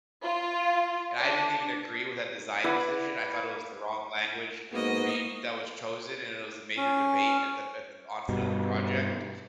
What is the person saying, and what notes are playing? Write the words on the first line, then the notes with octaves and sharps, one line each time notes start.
and I didn't even agree with that design decision, I thought it was the wrong language to be that was chosen, and it was a major debate at the at the onset of the project,
F4
D4
E4 B4 D5 F#5
G#2 A#3 B3 F#4 D#5
C#4
G2 B2